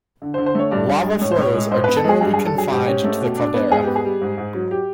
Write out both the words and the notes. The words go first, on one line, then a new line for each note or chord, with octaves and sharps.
Lava flows are generally confined to the caldera.
D3
C5
D3
C5
A3 C#5
G2 D5
G2
G#3
A2 C#5
C5
A2 C#5
G#3
G#2 C5
B4
B3
A4
G#3 G#4
G2 G#4
G#4
G2
A4
F#3 G#4
G#2 G4
C#4
A3
B2
D4
B3
G#2 G#4
B3 G4
G#4
G3
G#2
G#2
F#3
G4